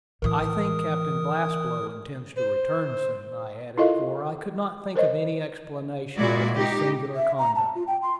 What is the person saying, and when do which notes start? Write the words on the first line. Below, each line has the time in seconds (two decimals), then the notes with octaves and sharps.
"I think Captain Blastblow intends to return soon," I added, for I could not think of any explanation of his singular conduct.
0.22 A2 E3 A#4 D#6
2.37 C5
3.78 E4 F4 A4 A#4 D#5 F5
4.96 A#4 C5 C#5 D#5
6.17 A#2 G#3 E4 F#4 D5
6.55 D#4 G4
7.16 E5
7.38 A#5
7.56 A5
7.75 F4
7.87 G5
8.02 C6